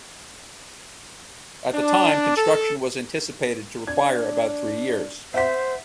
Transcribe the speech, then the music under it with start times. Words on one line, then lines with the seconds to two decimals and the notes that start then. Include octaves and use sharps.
At that time, construction was anticipated to require about three years.
1.74 D4
2.37 A4
3.87 D4 G#6
5.34 C5 E5 F#5 B6